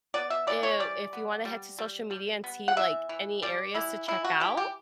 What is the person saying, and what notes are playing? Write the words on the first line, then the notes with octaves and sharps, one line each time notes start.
i if you wanna head to social media, and see, like, any areas to check out,
B3 D5
E5
E3 D5
C#5
G3 D5
B3
G3
G3
G3
B3
F#5
E3 E5
E3
G3 D5
E3 E4
E3 E4
F#4
E3 G4
G4